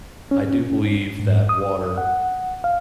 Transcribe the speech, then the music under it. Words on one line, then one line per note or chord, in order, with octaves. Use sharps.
I do believe that water
C#4
G#2
D#6
F#5
F5